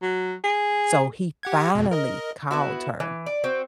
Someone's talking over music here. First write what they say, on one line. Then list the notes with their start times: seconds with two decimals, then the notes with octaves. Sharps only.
So he finally called her,
0.02 F#3
0.43 G#4
1.43 G4 F#5 G#6
1.75 F2 B2
1.91 A#4 D#5
2.51 B3 E4 F#4
3.00 E3
3.26 D5
3.44 C4 F#4